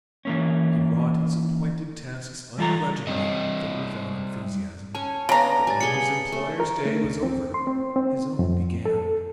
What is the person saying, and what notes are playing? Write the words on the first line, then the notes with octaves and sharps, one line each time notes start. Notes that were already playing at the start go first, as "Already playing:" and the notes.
He wrought his appointed tasks ungrudgingly, though without enthusiasm; but when his employer's day was over, his own began.
E3 A#3 C#4
E3 G3 F4 A4 A#5
G3 C4 D#5
C#4 C#5 A5
C#3 B3 D4 A#5
G3 G#5 A6
G#4 B5 C#7 G7
A3
A#4
A3
C#2
C4
C6
C4
C4
F2
A4